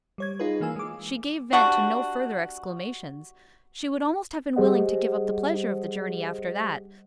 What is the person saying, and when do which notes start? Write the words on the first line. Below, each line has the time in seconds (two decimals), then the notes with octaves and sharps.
She gave vent to no further exclamations. She would almost have been willing to give up the pleasure of the journey after that.
0.18 G3 C#5 G#6
0.39 D#4 F4 G#4 B4
0.60 E3 A#3 F4 G#5 E6
0.76 G#3 D6
1.53 G3 D4 F#4
4.56 G3 G4 G#4 C5 D#5 F#5